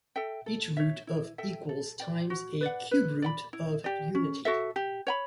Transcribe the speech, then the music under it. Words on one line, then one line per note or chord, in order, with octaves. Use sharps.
Each root of equals times a cube root of unity.
A4 E5 G5
A4
C#5 E5
E4
A4 E5 G5
A4
D5 G5
F#4
B4 D5 F#5
B4
D5 G5 B5
E4
G4 D5
C#4
F#4 A4 E5
G4
C#5 G5 B5